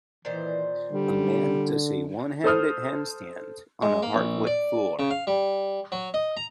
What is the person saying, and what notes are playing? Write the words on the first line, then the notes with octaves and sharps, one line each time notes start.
A man does a one handed handstand on a hardwood floor.
A#2 D#3 E3 C5
D3 G3
A4 C5 D#6 F6
G#3
A#3
A#1
D5
C#3
F5
G3
F#3
D#5
A#5